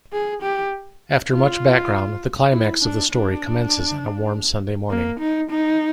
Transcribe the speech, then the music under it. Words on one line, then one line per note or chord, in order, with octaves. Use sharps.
After much background, the climax of the story commences on a warm Sunday morning.
G#4
G4
F4
E4
D4
D4
A#3
D#4
D#4